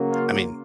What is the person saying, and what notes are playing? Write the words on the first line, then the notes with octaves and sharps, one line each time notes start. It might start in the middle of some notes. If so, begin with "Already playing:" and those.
I mean,
Already playing: C#3 F#3 A#3
F4